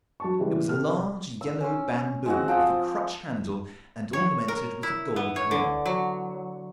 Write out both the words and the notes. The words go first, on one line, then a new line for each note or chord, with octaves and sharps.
It was a large yellow bamboo with a crutch handle and ornamented with a gold ring.
F#3 A5 C#6
C#3 E3 G3 G#3
C3 A4 F6
E6
C#4 C6
G#3 C4 F#4
F3 G5 G#5 D#6
C#5
A#4
E4
B3
C#5
D3
F#3